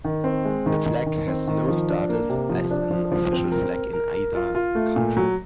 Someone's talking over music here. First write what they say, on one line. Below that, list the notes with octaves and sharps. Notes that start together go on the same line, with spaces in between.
The flag has no status as an official flag in either country.
D#3
C4
G#3
D#3
D#3
D#3
C4
D#3
F3
D4
A#3
C3
F3
D4
F3
F3
C4
A#4
A#4
A#4
A#4
F4
F4
A3
A#2
F#3